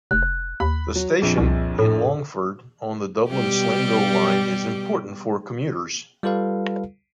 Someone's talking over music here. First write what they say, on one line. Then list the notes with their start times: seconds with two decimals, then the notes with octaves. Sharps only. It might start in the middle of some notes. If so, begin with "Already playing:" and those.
The station in Longford on the Dublin-Sligo line is important for commuters.
0.11 F1 F#6
0.60 D#2 B5
0.96 F#3
1.22 A#1 F2 G#4
1.38 C2
1.79 A2 A4
3.30 B2 G3 G4
6.23 G3 F4 A4 B4 F5